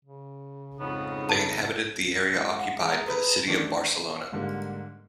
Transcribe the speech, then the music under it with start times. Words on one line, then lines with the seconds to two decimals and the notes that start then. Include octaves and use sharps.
They inhabited the area occupied by the city of Barcelona.
0.05 C#3
0.80 F2 G#2 C#3 B3 D#4
1.29 A5
2.33 G#3 E4
2.57 F5 F#5
2.79 G#4 A#5
3.06 A4 B4
3.47 D#3 E3 A3 D4 E4
3.84 D#7
4.32 G#2 D3 G3 A#3